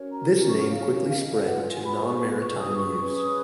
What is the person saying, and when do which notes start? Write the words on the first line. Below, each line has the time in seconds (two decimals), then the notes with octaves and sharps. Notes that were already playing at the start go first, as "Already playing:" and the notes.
This name quickly spread to non-maritime use.
Already playing: C#4 F#4 A#4 C#5
0.10 A#5
0.31 G#5
0.49 C#6
0.68 F5
0.94 C#5
1.09 F5
1.19 D#5
1.34 F5
1.44 F4 G#4 B4 F#5
1.63 G#5
1.82 B5
2.02 C#6
2.20 C#6
2.40 C#6
2.59 D#6
2.77 C#6
2.96 C#4 G#4 B4 C#6
3.16 D#6